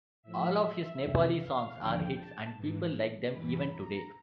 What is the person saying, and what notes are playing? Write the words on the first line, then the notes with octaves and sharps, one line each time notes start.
All of his Nepali songs are hits and people like them even today.
A2 F3 E5
F2 C3 D#3
F5
D#2 D3 F3 G5
A5
G#2 E3
G2 E3 B5
A#5